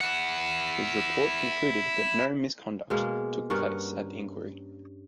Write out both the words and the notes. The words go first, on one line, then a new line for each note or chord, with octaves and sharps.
His report concluded that no misconduct took place at the inquiry.
E4 F#5
B2 G#3 A#3
G2 C#4 A#4 F#5